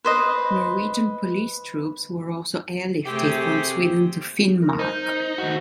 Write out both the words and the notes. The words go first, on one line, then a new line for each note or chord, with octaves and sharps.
Norwegian police troops were also airlifted from Sweden to Finnmark.
B4 C5 D#5
C3 A3 C4 G4 G#4
A#4
D#4 C5
D#2 F#4